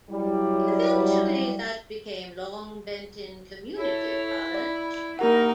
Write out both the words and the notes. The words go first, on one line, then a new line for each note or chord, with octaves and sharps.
Eventually that became Longbenton Community College.
F#3 G3 E4
E4 A4 C#5
D5 B5
A#3 D#4 G4 A#4 F#5 A#5